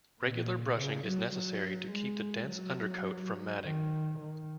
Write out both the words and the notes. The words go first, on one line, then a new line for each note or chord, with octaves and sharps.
Regular brushing is necessary to keep the dense undercoat from matting.
A#2
C#3
F#3
F#3
G#3
F#3
D#3
D#3